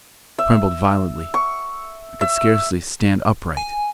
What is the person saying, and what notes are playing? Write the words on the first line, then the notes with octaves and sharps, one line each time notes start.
I trembled violently; I could scarcely stand upright.
E5
C#6
E5
G#5